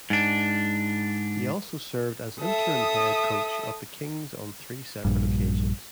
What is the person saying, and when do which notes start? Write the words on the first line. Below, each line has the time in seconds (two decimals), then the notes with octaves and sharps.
He also served as interim head coach of the Kings on three separate occasions.
0.10 G#2 D4
2.42 A4 E5 D#6
5.05 A#1 G2